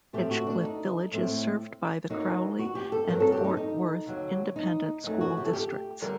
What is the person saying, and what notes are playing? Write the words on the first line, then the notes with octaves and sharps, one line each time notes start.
Edgecliff Village is served by the Crowley and Fort Worth Independent School Districts.
A2 A3 C4 G4
F#4
D4
D#4
A2 A3 C4
D2 D3 F#3 A#3 D#4
F#4
G4
A4
G2 F#3 C4 A#4
A4
G4
D#4
D#4
D#2 D3 F#3
D#4
F#2 D#3 F#3 A3 D#4
F#4
G4
A4
G4
D3 G3 A#4